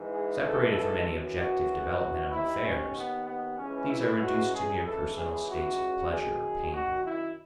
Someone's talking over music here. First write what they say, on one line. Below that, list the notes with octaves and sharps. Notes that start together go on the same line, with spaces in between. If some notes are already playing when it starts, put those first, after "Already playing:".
Separated from any objective development of affairs, these are reduced to mere personal states of pleasure or pain.
Already playing: G#2 E3
G#4
A4
A4
F#2 E3
F#4
D#2 D#3 E4
C#4
B3
B3
C#2 C#3 E3 C#4
E4
F#4
G#4
C#2 C#3 E3 A4
G#4
F#4
F#2 D#3 G#4
F#4
E4